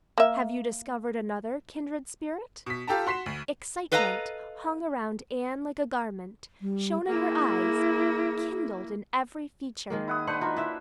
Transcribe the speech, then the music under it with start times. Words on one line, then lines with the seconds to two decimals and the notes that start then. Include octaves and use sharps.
"Have you discovered another kindred spirit?" Excitement hung around Anne like a garment, shone in her eyes, kindled in every feature.
0.18 A#3 E5
2.66 B2 B6
2.87 F4 G4 A4 G5 A5 A#5
3.07 F#4 C6 B6 C7 E7
3.26 D2
3.92 A4 B4 D#5 F5 G5 A#5
6.61 G3
7.07 A#3 E4 G#4
9.90 D#3 G#3 A#3
10.07 E4 F#5 D#6
10.27 D4 B4 C5 F#5
10.41 D4 D#4 F4 F#4
10.57 E4 E5